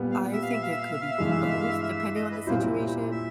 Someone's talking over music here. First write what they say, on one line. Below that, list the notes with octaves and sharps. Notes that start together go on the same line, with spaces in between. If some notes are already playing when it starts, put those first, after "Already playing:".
I think it could be both depending on the situation.
Already playing: A#2 G3 B3
F5
E5
F5
E5
F5
E5
F5
E5
F5
E5
G2 E3 G#3 F5
E5
F5
E5
F5
E5
E5
E5
D#5
B4
A#2 G3 A#3 C#4 E4 C5
C5
E5